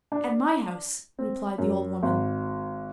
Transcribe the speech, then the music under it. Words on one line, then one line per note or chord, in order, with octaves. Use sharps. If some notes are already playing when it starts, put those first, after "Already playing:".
"At my house," replied the old woman.
D4
C4
F#2
G#1